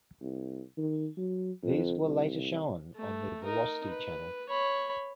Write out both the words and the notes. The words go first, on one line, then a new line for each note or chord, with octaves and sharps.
These were later shown on the Velocity channel.
C2
D#3
F#3
F2
C2
A3
D#4 A#4
B4
C#5 B5